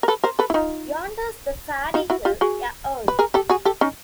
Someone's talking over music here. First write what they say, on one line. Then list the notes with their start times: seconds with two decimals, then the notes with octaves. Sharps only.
Yonder's the Fairy Hill a' alowe.
0.03 A#4
0.08 A4 B4
0.23 A#4 C5
0.39 A4 B4
0.50 E4
0.54 D#4 F4
1.94 D#4 F4
2.10 E4 F#4
2.25 F4 G4
2.41 F#4 G#4
3.08 B4
3.19 G#4 A#4
3.34 G4 A4
3.49 F#4 G#4
3.65 G4 A4
3.81 C#4 D#4